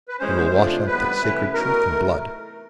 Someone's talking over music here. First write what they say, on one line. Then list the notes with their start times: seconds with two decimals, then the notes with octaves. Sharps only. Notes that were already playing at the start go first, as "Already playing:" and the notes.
He will wash out that sacred truth in blood.
0.08 B4
0.19 A2 E3 G#3 C#4 C5
0.53 C3 F3 A3 D4 F4
0.87 G#2 E3 G3 B3 B4
1.21 C3 E3 A3 C#4 E4
1.54 A2 F#3 B3 D#4 F#4 A#4
1.87 C3 E3 A3